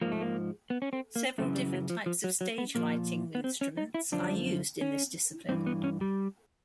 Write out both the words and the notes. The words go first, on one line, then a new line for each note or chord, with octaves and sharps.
Several different types of stage lighting instruments are used in this discipline.
G#2 F3 A#3
A3
A#3
B3
C#4
C4
A#3
F#2 C#3 E3 A3
G3
F#3
F3
F3
F#3
F#3
B3
A#2 F3 A#3
B3
C4
C#4
D#4
E4
F#2 D3 F3 D4
C#4
G2 E3 C4
B3
C#4
G3